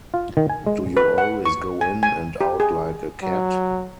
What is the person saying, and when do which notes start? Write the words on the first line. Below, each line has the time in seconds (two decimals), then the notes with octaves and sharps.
Do you always go in and out like a cat?
0.14 F4
0.37 D#3
0.49 G#5
0.67 G#3
0.97 B4
1.18 F#5
1.45 C#6
1.81 G#5
2.03 G#5
2.41 G4
2.60 G#4
3.22 F#3